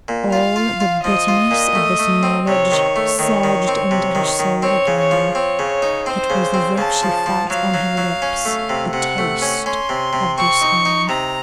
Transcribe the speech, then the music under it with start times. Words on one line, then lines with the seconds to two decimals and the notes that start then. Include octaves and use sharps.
All the bitterness of this knowledge surged into her soul again; it was as if she felt on her lips the taste of dishonour.
0.08 A#2
0.32 F4 F5
0.56 F4
0.80 F4
1.04 F3 D#5
1.28 F4
1.51 A#2
1.75 A3
1.99 A3
2.23 C4
2.47 C3 C#5
2.72 D#3
2.96 A3
3.19 D#3 C#5
3.44 D#3
3.68 C4
3.91 C3
4.15 D#3
4.39 D#3
4.62 C4 C#5
4.87 C#3
4.99 C#5
5.11 F3
5.35 C4 C#5
5.59 C#3
5.82 D#4
6.06 C4 C5
6.30 C#3
6.54 C4
6.78 C#3 A5
7.03 F3
7.26 F3
7.50 F#3 F5
7.74 F#3
7.97 F#3
8.22 C#4
8.45 A3
8.69 C3
8.93 C3 F#5
9.18 A3
9.42 C#4
9.66 C#4 C6
9.89 C3
10.13 C3
10.37 C4 C#6
10.61 D#4
10.85 D#4
11.09 C3 A#5